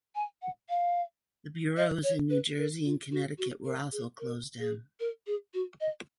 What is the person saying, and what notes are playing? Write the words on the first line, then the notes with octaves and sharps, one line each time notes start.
The bureaus in New Jersey and Connecticut were also closed down.
G#5
F#5
F5
D#5
C#5
B4
A#4
F4
F#4
F#4
A#4
G#4
A#4
G#4
A#4
G#4
F#4
D#5